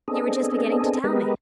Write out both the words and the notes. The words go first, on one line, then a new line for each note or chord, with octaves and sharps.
"You were just beginning to tell me."
B3 C4 D4 G#4 A4 D#5
G#3 B3 G4 A#4 B4 D#5